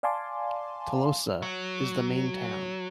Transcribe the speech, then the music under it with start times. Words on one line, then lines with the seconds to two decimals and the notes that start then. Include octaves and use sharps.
Tolosa is the main town.
0.03 D5 F5 G#5 A5 C6 D6
1.42 F#3